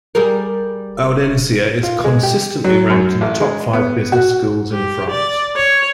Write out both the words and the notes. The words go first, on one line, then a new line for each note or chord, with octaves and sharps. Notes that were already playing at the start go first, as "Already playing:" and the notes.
Audencia is consistently ranked in the top five business schools in France.
G3 G#4 A#4
F4
G#3
G4
F#3
F#2
A1
G#3
B3
F#4
G4
D5
C#5